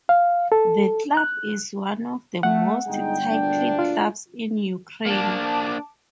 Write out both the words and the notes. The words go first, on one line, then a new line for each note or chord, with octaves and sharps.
The club is one of the most titled clubs in Ukraine.
F5
A4
F#6
A3 F#5
G1 G3 G#3 D#4 G5
D2 A#2 D4
F4
A#3 D4 A5 D6